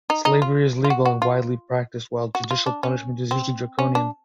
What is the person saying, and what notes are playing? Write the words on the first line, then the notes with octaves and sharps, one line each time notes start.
Slavery is legal and widely practised, while judicial punishment is usually draconian.
D#4
D#4
F4
F4
F#4
F#4
F4
F#4
F4
D4
C#4
C4
C#4
D4